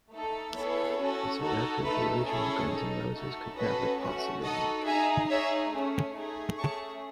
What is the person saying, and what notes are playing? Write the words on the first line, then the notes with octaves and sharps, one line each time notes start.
It's a record that the original Guns N' Roses could never possibly make.
A3 D#4 A4
B3 E4 G#4 A4 C#5
C#4 F#4 A4
D#4 F#4 A4
A3 D#4 A4 B4
C#4 E4 G#4 A4 C#5
D#4 A4
A3 D#4 F#4 A4
C#4 F#4 A4 B4 D#5
A3 C#4 F#4
D#4 F#4 A4 D#5 F#5
D#4 G#4 E5 G#5
D#4 G#4 C#5 E5
A3 C#4 G#4
A3 D#4 G#4
A3 C#4 G#4 A5 C#6